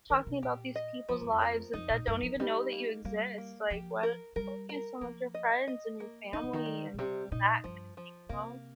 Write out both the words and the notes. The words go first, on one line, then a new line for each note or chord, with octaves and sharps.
talking about these people's lives that that don't even know that you exist. Like, why don't focus on, like, your friends and your family and that kind of thing, you know.
D#3 A#4
C3
A#2 G4
D#5
F2 F3
G2
F2
A#4
F2 D#4
A#2
G2 A#4
F3
F3
G3 D#4
A#3
G3 A#3
A#3
F3 G4
A#4
G3 A#4
A#4
F3 A#3
D#5
D#5
A#3
D#3 D#4
C3
D#3
G3
A#2
C3 G3
A#2 D#4
G2 F3
F3
C3 A#3